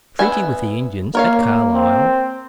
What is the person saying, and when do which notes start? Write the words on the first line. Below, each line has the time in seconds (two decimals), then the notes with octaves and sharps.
Treaty with the Indians at Carlisle.
0.19 B3 E5 G#5
1.15 A#3 A#4 C#5 F5
1.73 C4